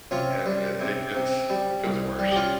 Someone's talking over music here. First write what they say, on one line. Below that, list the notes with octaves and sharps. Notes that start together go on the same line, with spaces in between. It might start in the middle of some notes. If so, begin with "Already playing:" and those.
and it it it's it feels worst.
C3 C#4 F4
G3
C3
C3
G3
C2
G3
G4
C#4 F4